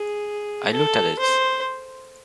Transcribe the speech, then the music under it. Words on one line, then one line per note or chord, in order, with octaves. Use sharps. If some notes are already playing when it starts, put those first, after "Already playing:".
I looked at it.
Already playing: G#4
A4
C5